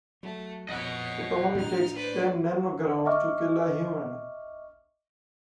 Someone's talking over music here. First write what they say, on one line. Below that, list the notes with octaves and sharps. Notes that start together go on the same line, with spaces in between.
It only takes ten nanograms to kill a human.
F#3 A3
F2 B2 B4 C#5 D#5 F#5
A2 D4 D#4 F6
B4 C5 D5
D#5 E5 C#6 D6 F6